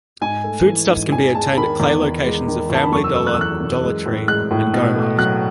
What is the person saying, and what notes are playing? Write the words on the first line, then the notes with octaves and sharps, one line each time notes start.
Foodstuffs can be obtained at Clay locations of Family Dollar, Dollar Tree, and Go-Mart.
G#2 G#5
A3
E3
G#2
E2 G#5
G#3 A5
D#3 B5
E2
E2
G#3
D#3
E2 A5
B5
F#2 C#6
E6
A3 E6
F#6
E6
E3 F#6
F#2
G#3
A2
G#3 F#6
A2
B2
A3
F#3 F#6